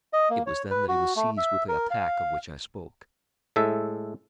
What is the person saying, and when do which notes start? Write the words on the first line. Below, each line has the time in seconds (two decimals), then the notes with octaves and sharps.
It was then that he was seized with the attack of which I spoke.
0.13 D#5
0.30 A#3
0.46 C#5
0.71 B4
0.88 F#4
1.16 A3
1.37 E5
1.68 A#4
1.91 F5
3.56 A2 G#3 A4 E5